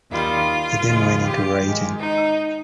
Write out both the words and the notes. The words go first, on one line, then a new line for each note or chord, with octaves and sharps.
He then went into writing.
D#2 D#3 G3 F4
D#2 C#3 F3 G#3
G4
G#2 D#3 G#3
D#4